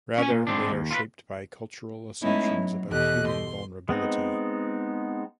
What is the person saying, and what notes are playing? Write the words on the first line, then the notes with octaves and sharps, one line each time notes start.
Rather, they are shaped by cultural assumptions about human vulnerability.
C#4 G#5
A#2
G#2 G#3 C4 D4
D#2
F4 A4 B4
G#3 A3 B3 C#4 D#4 E4
F#3
E2 B2 G4 A4 D#5 F#6
C6
G#3 B3 C4 D#4